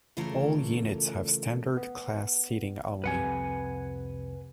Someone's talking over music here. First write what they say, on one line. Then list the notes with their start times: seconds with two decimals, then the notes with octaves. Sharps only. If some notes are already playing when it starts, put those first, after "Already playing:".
All units have standard class seating only.
0.17 C#3 E3 A3 F4 A4 A#4
1.77 B3
3.04 C2 F2 C3 B4 F#5 G#5